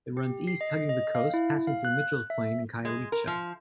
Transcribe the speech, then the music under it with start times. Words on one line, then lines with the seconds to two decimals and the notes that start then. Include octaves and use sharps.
It runs east, hugging the coast, passing through Mitchell's Plain and Khayelitsha.
0.17 G4
0.47 C7
0.61 D#5
0.89 D#5
1.15 F5
1.34 E4
1.67 F5
1.85 F#6
2.30 E5
2.85 G#3
3.12 A#4
3.27 F3